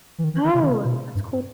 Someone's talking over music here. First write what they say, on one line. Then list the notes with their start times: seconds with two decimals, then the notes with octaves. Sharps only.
Oh, that's cool.
0.18 E3
0.24 D#3
0.34 E3
0.44 D#3
0.54 C3
0.62 D#3
0.70 C3
0.85 B2
1.15 G2